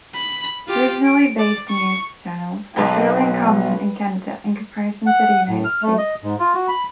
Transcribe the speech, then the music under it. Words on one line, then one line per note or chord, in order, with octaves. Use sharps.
Regionally-based news channels are fairly uncommon in Canada in comparison to the United States.
B5
F4 G4
D7
D5
C#6
B1 B4
F#5
A2
F6
A3
D#5
G#2
F4
F#4
B5